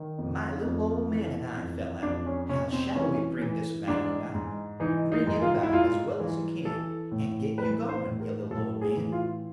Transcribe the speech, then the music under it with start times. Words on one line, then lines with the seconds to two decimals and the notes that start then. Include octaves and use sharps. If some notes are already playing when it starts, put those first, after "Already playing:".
"My little old man and I fell out, How shall we bring this matter about? Bring it about as well as you can, And get you gone, you little old man!"
Already playing: D#3
0.18 F2
0.64 F2
1.11 E3
1.57 F2
2.03 F2 D4
2.26 C#4
2.49 C3 C#4
2.72 C4
2.95 E3 C#4
3.42 E3
3.88 G#2 D4
4.34 G#2
4.80 E3 D#4
5.12 D#4
5.27 G#2
5.42 F4
5.63 E4
5.73 G#2 F4
6.20 E3
6.65 E3 A4
7.11 A2
7.58 E3 B4
7.89 C5
8.04 A2
8.20 A#4
8.50 A2 A4
8.81 G#4
8.96 E3
9.12 F4